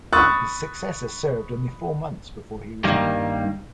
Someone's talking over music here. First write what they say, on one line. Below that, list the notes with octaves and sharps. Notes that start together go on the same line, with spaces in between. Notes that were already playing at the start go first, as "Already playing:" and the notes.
His successor served only four months before he resigned.
B5 C#6 D#6 E6 F#6 A6
G2 D#3 G3 A#3